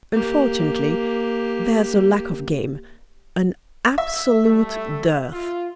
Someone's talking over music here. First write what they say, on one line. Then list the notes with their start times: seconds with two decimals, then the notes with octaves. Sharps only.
Unfortunately, there's a lack of game, an absolute dearth.
0.13 A#3 G4
3.98 E5
4.44 G3 A3
5.33 F4